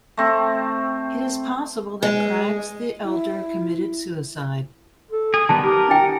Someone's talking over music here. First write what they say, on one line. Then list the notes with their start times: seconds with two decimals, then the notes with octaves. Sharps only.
It is possible that Craggs the Elder committed suicide.
0.17 A3 C4
2.03 G#3
3.04 E4
5.11 A4
5.34 G#4
5.49 D#3 G3 B3 A5
5.64 G4 A#4
5.88 D4 E4 G5